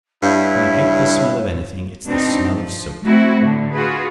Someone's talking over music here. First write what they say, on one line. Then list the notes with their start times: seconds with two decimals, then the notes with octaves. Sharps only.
If I hate the smell of anything, it's the smell of soot.
0.23 G2 E4 C#5 F5 G6
2.08 B2 C4 D4 D#4
2.49 F3
3.05 A3 C4 E4 F#4
3.41 A2 D3 A3
3.73 F4 F#4 G#4 B4